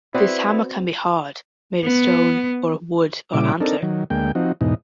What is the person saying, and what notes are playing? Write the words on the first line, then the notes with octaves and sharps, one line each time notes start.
This hammer can be hard made of stone or of wood or antler.
B3 C4 E4 F#4 C5 D5
B3
A#2 C#3 G3 E4 D6
C4 D4 D#4 A4 A#4
D#3 F#3
D2 G#3 A#3 G5
F3 C4 D#4 F#4
E2 G#2 B2 D#4